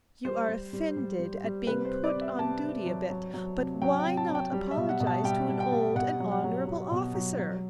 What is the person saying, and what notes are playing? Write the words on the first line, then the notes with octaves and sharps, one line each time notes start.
You are offended at being put on duty a bit, but why not apologize to an old and honorable officer?
G3 C5
G3
G3
G3
G3
G3
C3 B4
C5
C3
D5
C3
E5
C3 A5
C3
F#3
F#3
F#3
C3
F#3 G5
G5
C3
A5
F#3
G5
G3
E5
B2
F#5
B2
A5
G3 G5
G3
G5
G3
B2 F#5
F#3
F#5
F#3
F#3
B2
F#3
F#3